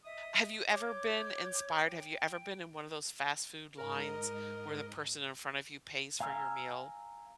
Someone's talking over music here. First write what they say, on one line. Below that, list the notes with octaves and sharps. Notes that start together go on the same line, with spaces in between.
Have you ever been inspired have you ever been in one of those fast food lines where the person in front of you pays for your meal,
D#5 E5 D#6
C#5 D6 G6
G5
G#2 A#4 D#5
F5 G#5 A#5 E6 F6